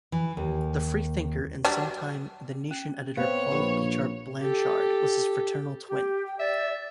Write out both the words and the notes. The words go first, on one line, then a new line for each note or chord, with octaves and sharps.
The freethinker and sometime "The Nation" editor Paul Beecher Blanshard was his fraternal twin.
E3
D#2
F#3 G3 D4
C#4
B3 C4 C5 C#5 F5
A#1 G4 A#4 B5
G4 A4
G4
G5
D5 E5